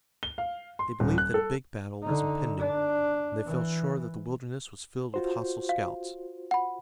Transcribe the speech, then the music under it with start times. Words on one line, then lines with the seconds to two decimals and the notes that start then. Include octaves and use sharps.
They believed that a big battle was impending, and they felt sure that the wilderness was filled with hostile scouts.
0.23 G7
0.38 F5
0.79 C6
1.00 D#1
1.18 F#6
1.34 A4
2.03 D3 D#4
2.59 D4
3.46 E3
5.14 F4 F#4 C5
5.69 F5
6.51 F#5 B5